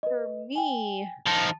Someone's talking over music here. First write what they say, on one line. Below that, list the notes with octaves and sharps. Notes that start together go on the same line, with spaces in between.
For me,
B4 D#5
G5 G#5
F3 D#4 A5